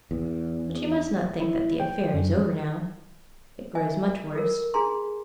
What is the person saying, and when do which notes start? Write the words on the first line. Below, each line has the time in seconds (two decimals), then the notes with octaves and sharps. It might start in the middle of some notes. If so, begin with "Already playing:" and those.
But you must not think that the affair is over now; it grows much worse.
0.11 E2
1.40 E4
1.80 G5
2.14 F#2
3.75 D#5 E5 G#5
4.33 F4 A4 A#4
4.74 D4 F4 G#4 G#5 A#5 C6